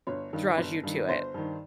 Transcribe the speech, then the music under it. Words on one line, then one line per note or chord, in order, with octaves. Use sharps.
draws you to it?
G1 C#5
G2 D#3
G1
G2 D#3
G1 C5
G2 D#3